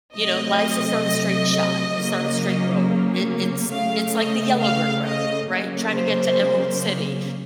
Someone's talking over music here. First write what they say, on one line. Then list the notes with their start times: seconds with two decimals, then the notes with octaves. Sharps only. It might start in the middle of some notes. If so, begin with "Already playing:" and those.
you know, life is not a straight shot. It's not a straight road. It it's it's like the yellow brick road, right? Trying to get to Emerald City.
0.16 C3 F#3 A3 D#5
1.94 C#3 F#3 A#3
3.72 C#3 A3 F5
4.17 D#5
4.61 F5
5.06 D#5
5.50 C#3 F#3 A#3
5.95 C5